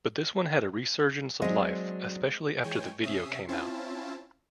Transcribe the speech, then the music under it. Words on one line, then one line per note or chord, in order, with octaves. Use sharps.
But this one had a resurgence of life, especially after the video came out.
F#3 G#3 C4 D4 D#5
E3 G#3 C#5 G5 G#5
C3 C#4 E5 D#6 C7
C4 C#4 E4 F4 A5